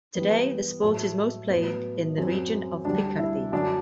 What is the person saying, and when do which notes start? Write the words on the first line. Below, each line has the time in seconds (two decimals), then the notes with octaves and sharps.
Today, the sport is most played in the region of Picardy.
0.15 G2 E3 G3 B3
0.82 A2 F#3 A3
1.50 A2 F#3 B3
2.17 F#2 F#3 C4
2.85 D2 D3 G3 D4
3.19 E4
3.52 F#2 D3 F#3 D4